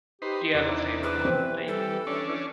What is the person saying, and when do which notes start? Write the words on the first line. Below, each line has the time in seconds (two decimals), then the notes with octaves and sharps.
Do you have a favorite one that you can remember?
0.22 D#4 G4 B4 C5
0.54 E2 C3 D4 D#4
1.03 B4
1.25 E3 C4
1.68 G3 A4
2.07 C#4 D4